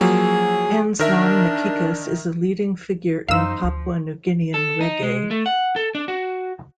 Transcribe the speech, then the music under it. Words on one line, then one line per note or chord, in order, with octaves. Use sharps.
Anslom Nakikus is a leading figure in Papua New Guinean reggae.
F3 F#3 A#3 G#4
D#3 D4 A#4 E5
F#2 E3 D#4 C5 F5 E6
D2 F3
A4
D#4
G#3
A3
F#5
A4
D4
F#4